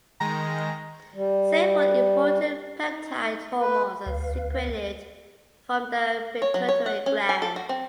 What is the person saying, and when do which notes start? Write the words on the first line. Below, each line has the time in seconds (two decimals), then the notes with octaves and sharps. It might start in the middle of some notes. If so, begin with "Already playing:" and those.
Several important peptide hormones are secreted from the pituitary gland.
0.21 D#3 G#3 A#5
1.14 G3
2.87 D#4
3.59 B4
4.06 D2 B4 F5
6.42 C#5
6.54 F#3
6.69 C#5
6.86 F#5
7.06 C#4
7.29 G#5
7.42 A4
7.56 F#4
7.69 C4